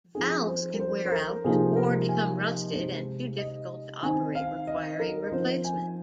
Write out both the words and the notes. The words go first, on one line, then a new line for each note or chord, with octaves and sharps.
Valves can wear out or become rusted and too difficult to operate requiring replacement.
F3 C4 D#4 G#4
C5
A#4
C5
C5
A#4
C3 F3 A#3 D#4 G#4
A#4
G#5
D#5
C3 G#3 D#4 C5
D#5
D#3 C4 D#4 G#5
F5
D#5
A#4
D#5
F3 C4 D#4 C5
G#5